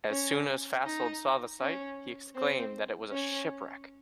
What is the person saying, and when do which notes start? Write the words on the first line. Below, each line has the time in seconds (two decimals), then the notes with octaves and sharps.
As soon as Fasold saw the site, he exclaimed that it was a shipwreck.
0.10 C#4
0.85 D#4
1.60 C#4
2.36 C4
3.11 C#4